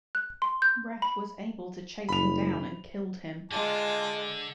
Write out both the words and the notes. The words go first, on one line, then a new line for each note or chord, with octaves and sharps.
Ref was able to chase him down and killed him.
F#6
C6
G6
B5
F#1 B5 F7
D3 G#3 F4 A5 D6